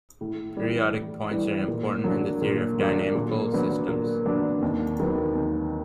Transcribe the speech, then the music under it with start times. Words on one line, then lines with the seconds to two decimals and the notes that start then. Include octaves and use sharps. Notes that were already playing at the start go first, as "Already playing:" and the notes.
Periodic points are important in the theory of dynamical systems.
0.21 A2
0.57 E3 G3
0.94 A2
1.31 E3 G3
1.68 A#2
2.04 F#3 A#3 D4
2.41 A#2
2.79 F#3 A#3 D4
3.15 A#2
3.52 F#3 B3 D4
3.89 A#2
4.26 F#3 B3 D4
4.62 D#2
5.00 D#3 F#3 B3
5.36 D#2